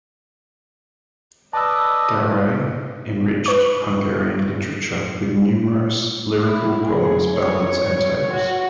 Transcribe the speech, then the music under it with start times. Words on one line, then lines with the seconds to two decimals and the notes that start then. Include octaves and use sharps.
Garay enriched Hungarian literature with numerous lyrical poems, ballads and tales.
1.53 B4 D5 D#5 A5 E6
3.46 B4 C#6
6.43 E4
6.85 G#4
7.33 C#5
8.32 F#4